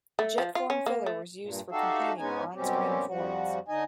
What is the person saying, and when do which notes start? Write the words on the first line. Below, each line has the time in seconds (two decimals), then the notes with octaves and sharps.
JetForm Filler was used for completing on-screen forms.
0.19 A3
0.38 F3
0.55 F4
0.70 C#4
0.86 A#3
1.06 A3
1.41 G2 A#2
1.71 D#4 F#4 G4 A4 E5 F5
2.18 G#2 G#3 B3 C#4 D#4 G#5
2.54 F#2 B2 G3 C4 C#4 G4
3.09 F2 F3 G3 F#4
3.68 D3 D#4 D#5 G#5